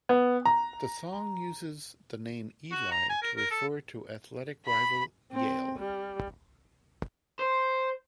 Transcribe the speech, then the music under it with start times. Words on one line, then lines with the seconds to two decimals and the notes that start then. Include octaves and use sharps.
The song uses the name "Eli" to refer to athletic rival Yale.
0.09 B3
0.45 A#5
2.71 F#4
2.91 A#5
3.09 G#5
3.22 A#4
3.36 A#4
3.51 A4
4.66 B5
5.32 C4
5.79 G3
7.39 C5